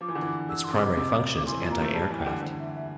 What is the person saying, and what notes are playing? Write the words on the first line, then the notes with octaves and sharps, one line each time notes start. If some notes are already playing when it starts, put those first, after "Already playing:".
Its primary function is anti-aircraft.
F3 D6
E3
D3
E3
D3 E6
C6
C3 D6
C3
D6
E3 C6
F3
A#3 A#5
A3
G3 A5
E3
G5
D3
D3 C5
E5
E5